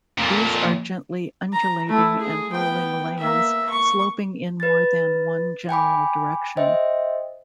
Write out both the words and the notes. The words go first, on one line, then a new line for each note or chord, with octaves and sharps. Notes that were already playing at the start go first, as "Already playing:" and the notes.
These are gently undulating and rolling lands sloping in more than one general direction.
F2 A#2
A#5
A3 E4
G#4
B3 G5
A#3 E5
C#6
B4 A6
G5 G#5 B5 D6
C5 D#5 E5 G5